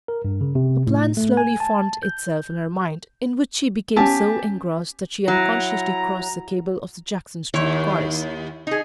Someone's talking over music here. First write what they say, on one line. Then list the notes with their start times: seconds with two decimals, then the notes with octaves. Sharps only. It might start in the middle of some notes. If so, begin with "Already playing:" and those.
A plan slowly formed itself in her mind, in which she became so engrossed that she unconsciously crossed the cable of the Jackson Street cars.
0.08 A#4
0.25 G2
0.41 C#3
0.55 C3
0.87 A2
1.17 A3
1.37 G#5
1.60 A5
2.03 G6
3.96 B3 C#4 G4 G#5 A5
5.28 F#3 E4 A#5
7.54 D#2 E4 C#5
8.67 D#4 G#4